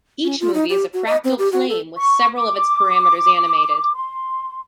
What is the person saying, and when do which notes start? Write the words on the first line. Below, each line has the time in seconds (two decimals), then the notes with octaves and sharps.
Each movie is a fractal flame with several of its parameters animated.
0.24 C#4
0.40 F4
0.54 D#4
0.70 G4
0.93 F#4
1.06 D#5
1.24 C4
1.38 G4
1.52 F#4
1.69 A4
1.97 C#6
2.37 D6
3.94 C6